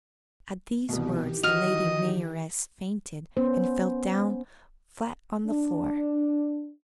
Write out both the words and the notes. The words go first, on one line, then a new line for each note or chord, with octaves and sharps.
At these words the Lady Mayoress fainted and fell down flat on the floor.
C2 B2 D#3 E3 G4
F#3 D#5 F6 F7
B3 C#4 C5
D4